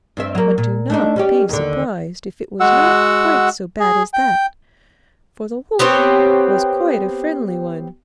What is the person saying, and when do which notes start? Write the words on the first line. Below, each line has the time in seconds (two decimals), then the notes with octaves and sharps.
But do not be surprised if it was not quite so bad as that, for the wolf was quite a friendly one.
0.17 G2 C4 E5
0.35 F#3 A#3
0.58 A#2
0.90 A3 D4 D#4
1.16 G3 C#4 G4
1.49 D#2 D3
2.60 G#3 F#4 F#5 E6
3.80 G#4
4.14 G5
5.79 B3 C4 G4 C#5